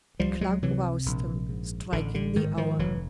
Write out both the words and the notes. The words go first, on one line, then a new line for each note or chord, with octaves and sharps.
The clock roused him, striking the hour.
C#2 F3 G3
F#3 G#3
C3 E3 F#3
A#1
G#2
A1 D3
D3
G#2 D#3
D#3 F3
F1 E3 F#3